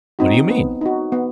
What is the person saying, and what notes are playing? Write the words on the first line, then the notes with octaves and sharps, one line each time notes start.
"What do you mean?"
C4 D#4 F#4
B3
D#4 F#4
B3